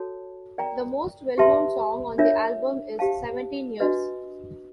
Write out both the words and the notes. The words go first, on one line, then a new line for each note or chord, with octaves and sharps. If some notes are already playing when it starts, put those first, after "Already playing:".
The most well known song on the album is "Seventeen Years".
Already playing: F#4 A4 C#5 A5
A#4 D5 G5 A#5
G4 B4 E5 A5 C6
D4 F4 A#4 C#5 E5
G4 C5 F5 A5
D4 F#4 B4 D#5